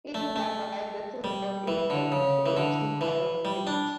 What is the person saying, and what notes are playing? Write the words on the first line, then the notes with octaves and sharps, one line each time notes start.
In larvae, this results in death before reaching the adult stage.
A3
A3
G3
E3
D3
C#3
E3
D3
E3
G3
D4